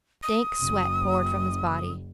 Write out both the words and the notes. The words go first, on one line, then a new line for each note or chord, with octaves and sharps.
Dank sweat poured from his body.
D#6
F#1